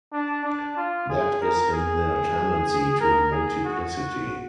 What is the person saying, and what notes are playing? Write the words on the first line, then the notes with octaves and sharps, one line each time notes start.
That is in their tendency to multiplicity.
D4
D4
F4
G#4
A#4
G#4
A#4
G#4
F#4